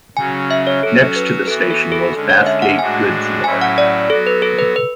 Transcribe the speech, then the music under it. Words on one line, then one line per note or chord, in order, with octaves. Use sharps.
Next to the station was Bathgate goods yard.
C#3 F#3 C#4 G#5
E5
C#5
F#3 C#4 F#4 A4
B4
E3 B3 F#4 A4
A4
A4
D3 G#3 C#4
C#5
E5
F#5
A2 G#3 D4 F#4 G#5
A2 F#3 C#4 E4 G#5
F#5
D5
F#3 B3 F#4 A4
B4
A4
B4
B4